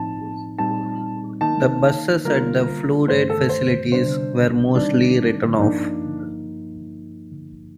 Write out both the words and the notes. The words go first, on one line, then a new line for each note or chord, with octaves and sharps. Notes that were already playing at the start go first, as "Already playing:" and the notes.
The buses at the flooded facilities were mostly written off.
Already playing: A2 F3 C4 D#4 A5
A#2 G3 C4 D#4 A5
D#3 A#3 D#4 A5
D3 G3 A#3 F4 A#4
G2 D#3 A3 C5
A4
C5
C3 G3 D4 C5
D#3 G3 C4 D4 D#4
G2 F3 A#3 D4 D#4